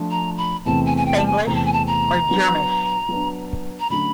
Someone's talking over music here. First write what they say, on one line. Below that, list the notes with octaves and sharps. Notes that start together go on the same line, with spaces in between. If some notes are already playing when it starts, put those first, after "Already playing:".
Spanglish or Germish.
Already playing: F3 A3 D4 F4
A#5
B5
E2 C3 E3 A3 C4 A5
G#5
G#5
G5
A5
G#5
E2 C3 E3 A3 C4 A#5
A5
G#5
A5
A#5
F#3 B3 D4
F#3 B3 D4
A#5
D3 F#3 A3 C#4 B5